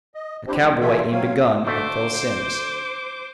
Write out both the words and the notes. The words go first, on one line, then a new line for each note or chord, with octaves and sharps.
A cowboy aimed a gun at Phil Simms.
D#5
C4 D4 E4 G4 C5
D#2 F3 G3 G#3
C3 E3 F4 A4 C#5 E5
F#3 C4 C#5 F5
D2 A3 C5 D6